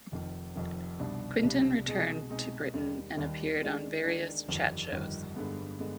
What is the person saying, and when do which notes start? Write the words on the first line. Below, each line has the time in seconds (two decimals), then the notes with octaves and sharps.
Quinten returned to Britain and appeared on various chat shows.
0.12 F1 F2 D#3
0.56 F1 F2 D#3
0.99 C2 B2 G3 D4
1.43 C2 B2 G3 D4
1.87 B2 G#3 C4 D#4 G#4
2.30 B2 G#3 C4 D#4 G#4
2.74 D#2 D#3 G3
3.17 D#2 D#3 G3
3.61 D#3 G#3 D4
4.04 D#3 G#3 D4
4.48 G1 F2 D#3 G3
4.92 G1 F2 D#3 G3
5.36 G2 D3 G#3 B3
5.79 D3 G#3 B3